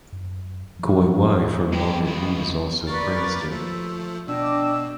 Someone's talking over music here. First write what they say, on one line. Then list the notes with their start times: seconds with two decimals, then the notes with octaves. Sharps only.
Koiwai from Manga News also praised it.
0.13 F#2
0.79 F3
1.72 G3 G#3 G4 B4
2.05 C#2 B2
2.87 A#3 A#4 B4 D5 C#6 A6
3.51 F3 A3 E6
4.28 B2 D4 D#5 G5 D6 E6